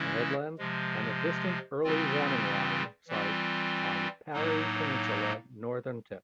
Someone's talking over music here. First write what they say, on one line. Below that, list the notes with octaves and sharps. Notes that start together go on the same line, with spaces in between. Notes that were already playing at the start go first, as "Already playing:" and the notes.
A headland, and a Distant Early Warning Line site on Parry Peninsula northern tip.
Already playing: C#3 E3 G#3 C#4 E4
C3 F3 G#3
C#3 E3 G3 C4 F4
E3 G3 C4 F4
A2 F#3 A#3 D#4